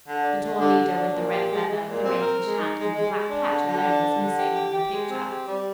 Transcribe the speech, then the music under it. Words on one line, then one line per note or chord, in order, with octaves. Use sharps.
The tall leader with the red feather, the rakish hat and the black patch alone was missing; from the picture.
D3
D4
D3
D3
D3
D4
A#2
G4
G#3
G#3
A#2
C4
A#4
G#3
D#4
G#3
G#3
G#3
D4
D3
D3
D4
D3
D3
G4
G4
G4
G#3
C4
G4
G3